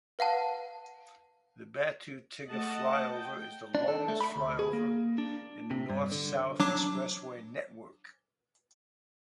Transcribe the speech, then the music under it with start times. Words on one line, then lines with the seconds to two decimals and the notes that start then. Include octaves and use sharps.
The Batu Tiga flyover is the longest flyover in the North-South Expressway network.
0.19 B4 F5 F#5 A5
2.49 A3 D#5 F#5 A5
3.10 G5
3.75 D4
3.88 A4
4.08 A3
4.21 B5
4.36 D2
4.59 G#4
4.73 A#3
5.18 D4
5.71 C3
5.90 G2
6.12 D3
6.60 F#3 D4 D6